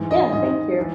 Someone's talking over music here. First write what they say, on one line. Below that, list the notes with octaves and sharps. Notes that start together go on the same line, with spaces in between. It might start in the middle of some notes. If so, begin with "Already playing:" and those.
Yeah, thank you.
Already playing: G#2 E3
D#5
G#2 D#3 D#5
E3